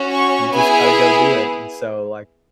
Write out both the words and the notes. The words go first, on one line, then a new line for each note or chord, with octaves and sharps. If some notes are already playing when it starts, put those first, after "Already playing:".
you just gotta go do it, and so, like,
Already playing: C#4 F#4
C#6
B3 E4 G#4 G#5